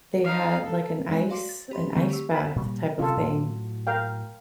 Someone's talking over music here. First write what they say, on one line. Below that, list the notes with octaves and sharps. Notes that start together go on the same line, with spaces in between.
they had, like, an ice an ice bath type of thing.
D#4 F5
A4
G#3 D#4 C#5 G#5
F#4 D5 F5 C6 D6
A6
G4 B5 C6
D3 D#3 A3 C4
G4 C#6 E6
B5
A#2 G3
C3 F#3 C#4 F4 A4
A2 F#3
A#4 F5 G5